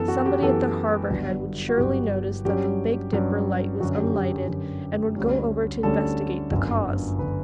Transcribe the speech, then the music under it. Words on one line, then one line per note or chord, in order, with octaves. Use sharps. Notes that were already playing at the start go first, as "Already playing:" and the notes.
Somebody at the Harbour Head would surely notice that the Big Dipper light was unlighted and would go over to investigate the cause.
Already playing: F#2 E3 B3 A4
F#4
G4
F#2 E3 B3 A4
G1 G2 F#3 B3
F#4
G1 G2 F#3 B3 G4
G2 F#3 C#4 G4
G2 F#3 C#4
F#2 D3 F#3 C#4 F#4
G4
G4
F#2 D3 F#3 C#4
D2 D3 G3 C#4
D2 D3 G3 C#4 A4
G1 F#2 D3
G1 D3 B4